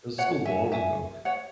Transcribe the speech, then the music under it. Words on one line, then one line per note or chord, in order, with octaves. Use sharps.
It's so long ago.
C#5 F#5
E5 G#5
E5 G#5
C#5 F#5